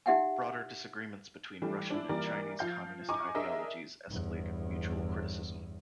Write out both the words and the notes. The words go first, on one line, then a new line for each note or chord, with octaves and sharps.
Broader disagreements between Russian and Chinese communist ideologies escalated mutual criticism.
D#4 G4 E5 F#5 G#5
E3 G3 A3 D4
D4 E4
E3 G3 A#3 A#4 D5
F3 F5 G6
D#5 G#5 A#5 C#6 D6
D4 G#4 A#4 D#5 E5
G1 E2